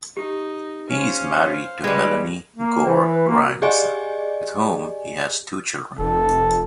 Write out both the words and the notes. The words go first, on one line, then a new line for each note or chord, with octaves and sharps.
He is married to Melanie Gore-Grimes, with whom he has two children.
D#4 G4
C#4 C5 F5
G3 G#3 G4 B4 G#6
A#3
E3 C5
B4
A#3 F#4
G4 G#4 D5 D#5 G#5
F1 A4